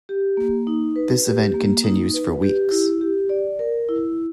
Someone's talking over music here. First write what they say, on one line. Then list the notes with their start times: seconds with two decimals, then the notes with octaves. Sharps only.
This event continues for weeks.
0.09 G4
0.37 A#3
0.67 D#4
0.96 B4
1.25 G4
1.54 A#3
1.84 D#4
2.14 B4
2.42 G4
2.71 E4
3.01 G4
3.29 D5
3.59 A#4
3.89 E4